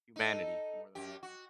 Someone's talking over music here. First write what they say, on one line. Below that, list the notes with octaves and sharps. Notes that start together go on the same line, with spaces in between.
humanity more than anything
D#4 A4
F#2 G4
F#4